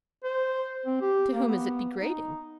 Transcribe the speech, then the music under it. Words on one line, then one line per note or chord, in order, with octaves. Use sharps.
"To whom is it degrading?"
C5
C4
G4
A#3
B3
D#4